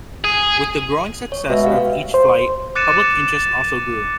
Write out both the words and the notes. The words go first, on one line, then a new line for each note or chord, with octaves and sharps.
With the growing success of each flight, public interest also grew.
G#4
C#5
B2 G#3 E5
G4 F5
C5
D6 F#6 A6 C#7 D#7 E7